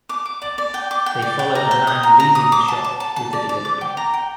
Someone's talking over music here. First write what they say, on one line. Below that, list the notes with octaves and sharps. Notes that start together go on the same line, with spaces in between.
They follow a man leaving the shop with a delivery.
D6
D6
D5
D5
G5
D6
G5
D5
G5
A#5
G5
D#6
A#5
A#5
D#6
D6
A5
A5
A5
A5
D5
D5
D6
G5
A#5
G5